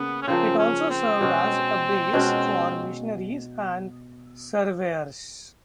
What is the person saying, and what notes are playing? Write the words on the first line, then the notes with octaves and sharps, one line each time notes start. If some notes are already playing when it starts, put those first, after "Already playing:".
It also served as a base for missionaries and surveyors.
Already playing: C#3 A#3 B3
C#4
C#3 F3 A#3 C4
C#4
C4
B2 G#3 C#4 F#4
B2 G#3 C#4 F#4